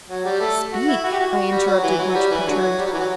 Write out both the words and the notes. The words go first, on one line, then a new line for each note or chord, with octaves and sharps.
"Speak," I interrupted, much perturbed.
F#3
G3
A3
F#4
E4
F#4
G4
F#4
F#4
G3
F#3
F#3
E3
F#3
G3
E3
D3 F#3
G3
F#3
E3
F#3